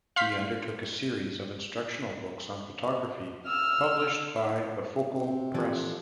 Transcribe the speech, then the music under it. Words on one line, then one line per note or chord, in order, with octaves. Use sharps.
He undertook a series of instructional books on photography, published by the Focal Press.
F5 C6 G6 B6
E6 F6
C3
D3 E3 F3